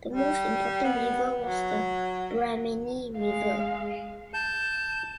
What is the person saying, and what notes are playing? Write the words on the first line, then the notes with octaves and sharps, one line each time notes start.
The most important river was the Brahmani River.
G3
B3
F#3
G#3 F5
A5 G6 E7